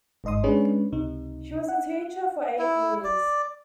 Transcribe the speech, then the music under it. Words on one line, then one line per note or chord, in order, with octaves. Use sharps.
She was a teacher for eight years.
G1 G#2 D#5 C6 D#6
G#3 C#4 D4 G#4 B4 C#5
C#2 C3 D#4
F#5
E4
D5